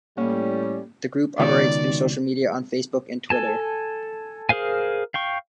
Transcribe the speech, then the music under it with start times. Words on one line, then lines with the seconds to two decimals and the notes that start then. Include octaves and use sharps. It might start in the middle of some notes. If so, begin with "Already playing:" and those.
The group operates through social media on Facebook and Twitter.
0.18 A2 G3 A3 A#3 C#4
1.40 C#2 B2 D#3 D5
3.30 A4 G#5 A5
4.49 G#4 A#4 C5 F5 G#5
5.14 F5 G5 C#6